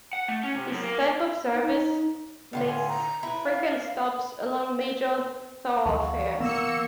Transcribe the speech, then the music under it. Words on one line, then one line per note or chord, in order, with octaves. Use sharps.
This type of service makes frequent stops along major thoroughfares.
F#5
A3
C#4
C3
F#2
A#3
D#4
A2 D3 F4
G#5
A#5
E4 B4
F5
D2 E3 G3 F5 F#5 C#6
E3 A#3 B3 E6 C#7